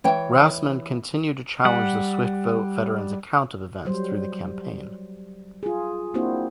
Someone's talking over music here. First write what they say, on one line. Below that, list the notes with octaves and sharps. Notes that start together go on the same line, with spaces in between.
Rassman continued to challenge the Swift Boat Veterans' account of events throughout the campaign.
E3 C#5 G5
G3 F#5
F#3 G3 C5
F4 G#4
A#3 C4 D4 E4 F#4 C5